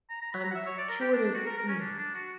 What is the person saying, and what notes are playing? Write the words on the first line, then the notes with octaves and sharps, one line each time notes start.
I'm cured of--Nita.
A#5
A#5
B5
A#5
F#5
E5
C#5
D5
A#4
G4
D4
D4
F#4
A#4
A#4
C#4
D4
D4
F#4